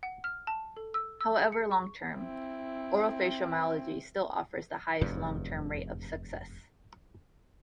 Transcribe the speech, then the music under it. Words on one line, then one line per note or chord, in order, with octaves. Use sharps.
However, long term, orofacial myology still offers the highest long term rate of success.
F#5
F6
A5
A4
E6
E6
G#4
C#7
C#6
C4 E4
F1 E2 G2